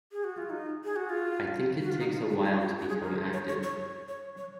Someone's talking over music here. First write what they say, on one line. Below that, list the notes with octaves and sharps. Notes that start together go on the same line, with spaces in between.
I think it takes a while to become active.
G#4
F#4
F4
D#4
G#4
F#4
F4
F#4
F4
D#4
F4
F#4
F4
F4
F#4
G#4
A#4
C#5
C#5
C#5
C#5
C#5